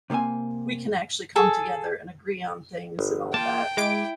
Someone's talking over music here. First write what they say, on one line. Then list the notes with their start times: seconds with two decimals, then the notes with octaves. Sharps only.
we can actually come together and agree on things and all that.
0.10 C3 D#3 A#3 C4 G#5
1.36 G#4 A4 A5
2.99 G1
3.34 A#3 F4 G5 A5
3.77 G#3 E4 D6 D7